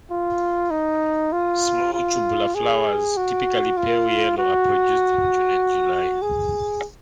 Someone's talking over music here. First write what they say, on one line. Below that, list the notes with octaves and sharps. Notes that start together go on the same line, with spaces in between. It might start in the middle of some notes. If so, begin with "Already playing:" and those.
Small tubular flowers, typically pale yellow, are produced in June and July.
F4
D#4
F4
F4
G#4
F#4
F4
F#4
G#4